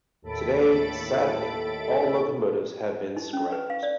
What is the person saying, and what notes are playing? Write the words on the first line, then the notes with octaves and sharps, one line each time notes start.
Today Sadly all locomotives have been Scrapped.
D#2 A2 A4 B5 A6 D7
D#4
C#4
B4
F5
D5